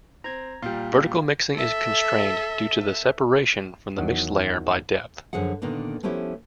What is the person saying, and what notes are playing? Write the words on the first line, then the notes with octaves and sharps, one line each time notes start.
Vertical mixing is constrained due to the separation from the mixed layer by depth.
C4 A#5 G#6
A#2 G3 F5 G5
A4 E5
E2 D#3 F#3 D#5 F#5
F#2 D3 F3 G#4 F#5
A#2 D3 D#3 A#3 B3
F3 A3 B3 C#4 E4 G4